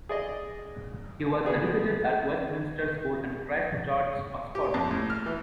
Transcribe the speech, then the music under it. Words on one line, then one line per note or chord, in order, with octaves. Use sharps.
He was educated at Westminster School and Christ Church, Oxford.
G#4 D5 D#5
B3 G#4 D5
G4
F2
A2
F6
E3